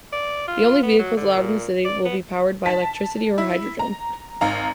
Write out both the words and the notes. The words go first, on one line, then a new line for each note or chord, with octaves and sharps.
The only vehicles allowed in the city will be powered by electricity or hydrogen.
D5
F4
B3
F#3
D3
A#2
D5
B3
A5 B6
E4
A#5
G#1 F5 A#5